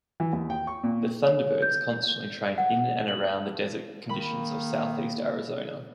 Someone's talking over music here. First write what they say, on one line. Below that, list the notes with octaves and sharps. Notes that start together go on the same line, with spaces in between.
The "Thunderbirds" constantly train in and around the desert conditions of southeast Arizona.
E3
D#2
G5
C#6
A#2
C#5
G6
F#5
F#7
D#3 A#3 B5